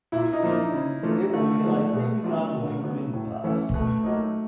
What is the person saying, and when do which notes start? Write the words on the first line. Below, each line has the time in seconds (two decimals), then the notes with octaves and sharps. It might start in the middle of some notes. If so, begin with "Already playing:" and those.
It will be like leaping on to a moving bus.
0.12 A#2 E4
0.33 D#4
0.43 F3 A#3 D4 F4
0.53 D#4
0.73 C#3
1.03 E3 A3 D4 F4
1.33 D3 A3
1.64 F3 G#3 B3 D#4
1.93 B2
2.24 F#3 B3 D4 F4
2.54 D3
2.84 F#3 B3
3.14 A2
3.44 E3 A3 C#4 E4
3.74 B2 A3
4.04 F#3 A#3 D#4